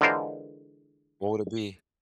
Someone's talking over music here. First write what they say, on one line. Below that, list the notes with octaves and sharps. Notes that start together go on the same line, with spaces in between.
What would it be?
D3 E3 G#3 F4 A#4 C5